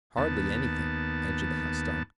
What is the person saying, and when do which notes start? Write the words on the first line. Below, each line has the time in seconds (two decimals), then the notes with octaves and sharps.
"Hardly anything," answered the House Dog.
0.17 D#2 B3 A5